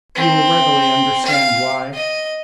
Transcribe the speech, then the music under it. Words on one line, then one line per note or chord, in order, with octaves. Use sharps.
You will readily understand why.
C4
F5
D#5